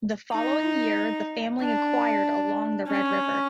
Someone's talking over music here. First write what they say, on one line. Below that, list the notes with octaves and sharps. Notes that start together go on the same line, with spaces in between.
The following year the family acquired along the Red River.
D#4
D4
C#4